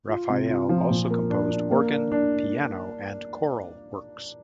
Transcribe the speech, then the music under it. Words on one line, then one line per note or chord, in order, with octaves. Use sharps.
Raphael also composed organ, piano and choral works.
F4
C3
F4
F3
A#2
A#3
D4
D4
A#3
D4
D4